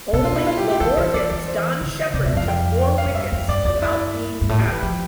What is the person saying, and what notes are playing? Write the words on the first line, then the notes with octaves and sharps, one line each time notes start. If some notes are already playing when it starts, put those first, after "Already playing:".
Only Glamorgan's Don Shepherd took more wickets without being capped.
B2 A4
F4
E4
F4
G4
G4
E3 A4
E3 C5
F3 D5
E3 D5
C5
D3
C3 D5
B2 E5
G2
F2 F5
G5
G5
F5
A2
G2 E5
F2
G2 D5
F2 D5
G2 E4
G2
A2
G4
E3
B4
F3 G4